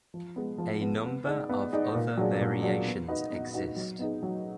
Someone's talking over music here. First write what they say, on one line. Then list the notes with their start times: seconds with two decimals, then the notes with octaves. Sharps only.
A number of other variations exist.
0.14 F3
0.36 G#3 B3
0.58 F3
0.81 G#3 B3
1.05 B3
1.27 D#4 G#4 D5
1.50 B3
1.73 D#4 G#4 D5
1.95 A#2
2.17 F#3 D4 G#4
2.40 A#2
2.62 F#3 D4 G#4
2.86 B3
3.08 D#4 F#4 B4 D#5
3.31 B3
3.54 D#4 F#4 B4 D#5
3.76 F#3
3.99 B3 D#4 G#4
4.23 F#3